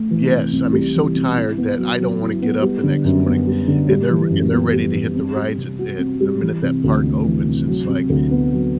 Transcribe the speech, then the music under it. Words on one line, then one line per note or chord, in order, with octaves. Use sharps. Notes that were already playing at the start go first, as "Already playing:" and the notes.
yes. I mean, so tired that I don't wanna get up the next morning, and they're and they're ready to hit the rides at at the minute that park opens. It's like
Already playing: A3
E3
C3
C2
G3
E3
C3
E4
B3
F#3
F#3
E4
B3
G3
D3
F#2
B3
G3
D3
G3
E3
F#2
B3
G3
E3
C4
G3
C3
F#4
C4
G3
E3
C3
D2
A3
E3
C3
F#3
C3
D2
B3
F#3